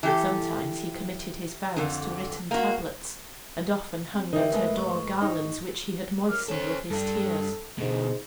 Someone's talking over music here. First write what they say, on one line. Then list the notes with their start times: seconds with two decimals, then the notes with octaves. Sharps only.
Sometimes he committed his vows to written tablets, and often hung at her door garlands which he had moistened with his tears.
0.03 E3 G4 A4
1.76 F2 D3
2.51 A#3 F#4
4.14 C4
4.33 D3 E3 D#4 G4 A#4 E5
4.52 G#1 G#3 A3 B3
4.77 C#6
5.21 D#4
6.28 F#2 D6 F6
6.48 C#4 A4 C5
6.90 G2 D4 A4
7.78 G#2 B2 D3